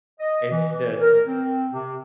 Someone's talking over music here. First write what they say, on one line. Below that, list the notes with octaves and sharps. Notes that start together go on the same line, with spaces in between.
it's just
D#5
E3
E3
A#4
C4
C3